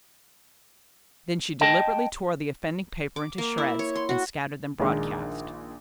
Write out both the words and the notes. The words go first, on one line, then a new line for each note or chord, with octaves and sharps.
Then she deliberately tore the offending paper into shreds and scattered them broadcast.
D#5 G5 A5
D6
A#3
E4
C#5
C6
F#4
A#1 A#2 D#3 G#3 D4